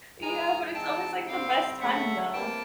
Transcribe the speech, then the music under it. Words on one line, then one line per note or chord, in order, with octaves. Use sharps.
Yeah, but it's always, like, the best time though.
G#2 E3 G#3 G#5 A#5
E3 G#3 C4 D#4 G5 A5
D3 G3 C4 F5 G5
D2 C#3 F#3 A3 E5 F#5
C3 E3 G3 A#3 G5 A5